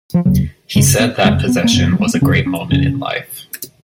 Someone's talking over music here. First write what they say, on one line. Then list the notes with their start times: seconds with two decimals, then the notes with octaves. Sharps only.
He said that possession was a great moment in life.
0.14 F3
0.25 F1 D#2 C#3 F#3
0.75 G#1 F#2 C#3 G#3
0.99 B3
1.24 F#1 F2 C#3 G#3
1.48 B3
1.64 A#3
1.73 F#1 F#2 C#3 B3
1.93 F#3
2.00 G#3
2.07 A#3
2.14 B3
2.22 G#1 F#2 C#3 C#4
2.46 C#4
2.71 F1 F2 C#3 C#4